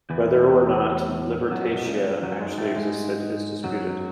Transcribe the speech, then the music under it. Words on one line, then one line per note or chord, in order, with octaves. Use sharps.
Whether or not Libertatia actually existed is disputed.
E2 E3
F#2 F#3
B2
C#2 C#3
F#2 F#3
G#2 G#3
A2 A3
G#2 G#3
F#2 F#3